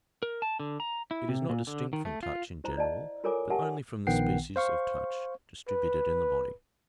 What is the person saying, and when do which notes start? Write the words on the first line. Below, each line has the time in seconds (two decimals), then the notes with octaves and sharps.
It is not distinct from touch in general, but only from the species of touch distributed in the body.
0.23 A#4
0.42 A5
0.60 D3
0.80 A#5
1.11 E4
1.29 C3
1.49 A#2
1.67 D3
1.93 D#3
2.05 A3
2.23 F4
2.64 E4 C5 A#5
2.78 D5 D#5 F5 A5
3.24 F4 A4 A#4 C#5 G#5 D6
3.50 G4 A#4 E5 F#5 G#5 A5
4.07 A#1 D#3 B3 F#5 G5 C7
4.56 C5 F5 C#6
5.69 B4